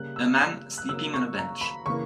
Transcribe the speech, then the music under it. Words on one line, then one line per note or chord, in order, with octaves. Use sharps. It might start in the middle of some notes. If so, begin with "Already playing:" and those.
A man sleeping on a bench.
Already playing: C#3 G3 A#3 F#6
E6
E6
F#6
C#3 F#3 A#3 E6
C#6
A#5
B5
C#3 E3 A#3 C#6